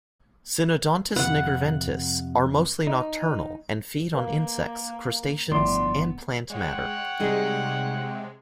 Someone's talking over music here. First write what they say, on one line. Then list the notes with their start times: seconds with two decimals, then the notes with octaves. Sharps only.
"Synodontis nigriventris" are mostly nocturnal, and feed on insects, crustaceans, and plant matter.
1.16 F2 C3 B4 F#5
2.87 D#4
4.15 A#3 A#4 B4 F5
5.52 G1 A2 F3 B3 D5 C6
6.50 G#3 C#5 F#5 G5
7.20 C3 G3 G#3 D#4 G#4